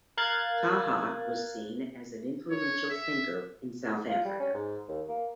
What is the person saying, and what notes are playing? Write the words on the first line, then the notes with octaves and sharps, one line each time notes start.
Taha was seen as an influential thinker in South Africa.
A#4 F5 F#6 G#6 A6
C#5
E5
F4
G3
C#4
G#2
D#2
A#3